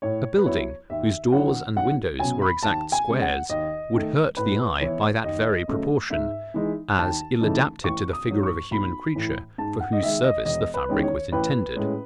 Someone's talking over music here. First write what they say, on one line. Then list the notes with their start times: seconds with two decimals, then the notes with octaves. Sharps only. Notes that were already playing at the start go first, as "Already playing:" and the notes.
A building, whose doors and windows were exact squares, would hurt the eye by that very proportion; as ill adapted to the figure of a human creature, for whose service the fabric was intended.
0.02 A2 C#5
0.38 B4
0.45 F#3 B3 E4 C#5
0.90 D#2 E5
1.32 D#3 F#3 C#4 E4 F#5
1.76 B1 F#5
2.20 B2 F#3 C#4 G#5
2.42 B5
2.63 D#2 A5
2.92 G#5
3.06 C#3 G#3
3.22 F#5
3.50 D#2 D#5
3.94 D#3 A3
4.37 A2 B4
4.80 E3 B3 E4 C#5
5.24 D#2 D#5
5.68 C#3 F#3 A3
6.10 G#2 E5
6.54 E3 G#3 D#4
6.98 D#2 A5
7.41 C#3 E3 A3 D#4
7.84 A1 C#6
8.13 D#6
8.28 G#2 F#3
8.43 C#6
8.71 B1 B5
9.15 A2 E3
9.58 G#2 A5
9.80 F#5
9.93 D#5
10.02 D#3 G#3 E5
10.24 D#5
10.45 E1 D#5
10.74 B4
10.88 E2 D#3 G#3 C#4
11.03 C#5
11.32 A1 B4
11.76 A2 G#3 C#4